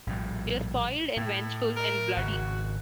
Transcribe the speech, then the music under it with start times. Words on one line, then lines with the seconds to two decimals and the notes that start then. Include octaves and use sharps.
You're spoiled and vengeful and bloody.
0.07 A#1 A2 G3
1.17 A2 E4
1.76 A#4
2.17 G#1 C#3 F#4